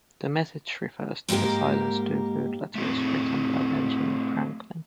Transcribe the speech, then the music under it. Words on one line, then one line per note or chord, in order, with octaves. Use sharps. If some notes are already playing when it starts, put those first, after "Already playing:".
The message refers to the Silence Dogood letters written by Benjamin Franklin.
G#2 A#3 F4 G4 A#4
A3 C4 F#4 G#4